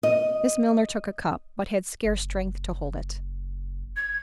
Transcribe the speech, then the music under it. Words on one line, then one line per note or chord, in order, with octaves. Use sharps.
Miss Milner took a cup, but had scarce strength to hold it.
D#5
F#1
G#6